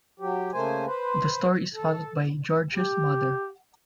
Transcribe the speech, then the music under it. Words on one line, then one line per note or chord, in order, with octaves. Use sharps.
The story is followed by "George's Mother".
F#3 G4
C#3 A3 A#3 C5 G#5
B4 C5
A4
G4